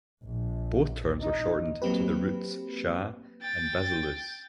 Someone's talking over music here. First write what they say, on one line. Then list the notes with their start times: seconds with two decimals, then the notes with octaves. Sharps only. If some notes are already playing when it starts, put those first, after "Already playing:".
Both terms were often shortened to their roots "shah" and "basileus".
0.23 A#1
1.21 D#4
1.82 F#3 A#3 C4 G4 B4
3.41 G5 A6